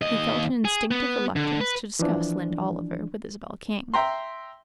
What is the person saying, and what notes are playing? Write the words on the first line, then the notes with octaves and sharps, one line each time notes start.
He felt an instinctive reluctance to discuss Lynde Oliver with Isabel King.
D#2 D#5
G#4
B3
D3
B4
E3 F3 D4
E5 G5 A#5 C6